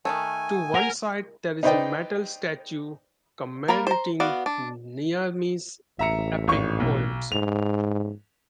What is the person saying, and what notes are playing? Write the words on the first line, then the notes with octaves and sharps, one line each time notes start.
To one side, there is a metal statue commemorating Nizami's epic poems.
D#3 F#3 A3 G#5
A#4 F#5 A#6 F7
D#4 B4 C5 D5 D#5 G5
A#3 A#4 A#5 B5
C5 A#5
B3 F#4 D5 F5
D4
A1 E5 A#5 C#7
G#1 C#6
B1
G#2 F7